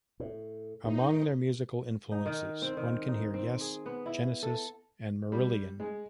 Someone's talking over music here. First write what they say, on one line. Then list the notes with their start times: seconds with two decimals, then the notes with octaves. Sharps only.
Among their musical influences one can hear Yes, Genesis and Marillion.
0.20 A2
0.85 A2 D#4
2.12 D#4
2.26 D#3
2.62 C4
2.77 D#3
3.08 D#4
3.34 C4
3.61 G#4
3.86 B3
4.06 E4
4.43 A4
5.32 G3
5.80 G#3